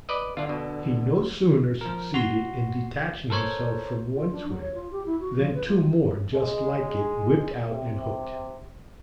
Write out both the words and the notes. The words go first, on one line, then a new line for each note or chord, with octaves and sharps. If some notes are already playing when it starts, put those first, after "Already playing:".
He no sooner succeeded in detaching himself from one twig, than two more just like it whipped out and hooked him.
B4 D5 D#5
D3 D4 F4
B2
F3 A#4
F#4 C6
A4 A#4 C5 C#5
F4
D4
F#3
C#5
F4
G4
E4
F#4
F3
B4
F4
G#3
C3